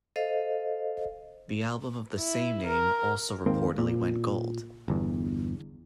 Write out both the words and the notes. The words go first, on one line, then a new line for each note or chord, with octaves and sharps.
The album of the same name also reportedly went gold.
A4 C5 D#5 F5
E4
A#4
D#2 G#2 A#3 C4
A#2
G1 E2